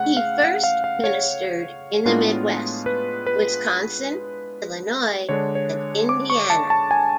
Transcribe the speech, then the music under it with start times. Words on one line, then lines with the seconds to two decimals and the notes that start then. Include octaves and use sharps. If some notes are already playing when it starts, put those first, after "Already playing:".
He first ministered in the Midwest: Wisconsin, Illinois and Indiana.
Already playing: C#3 A3 F#5
0.17 F5
0.43 F#5
0.64 F5
0.84 F5
1.04 C#5
2.05 A2 G#3 B3 D4 F4
2.86 B4
3.26 B4
5.29 D3 G#3 D4 C#5
5.55 C#5
6.09 D6
6.30 C#6
6.50 A5
6.70 A5
6.91 G#5